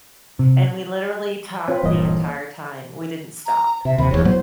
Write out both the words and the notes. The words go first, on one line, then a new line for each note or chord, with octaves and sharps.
and we literally talked the entire time, we didn't stop.
C3
C4 F4 B4 C#5
D1 G2 A#2 E3 A#3 D#5
A#5
C3 E5
D#2 C3 B5
F1 E2 C#5
A2 F#3 B3 C5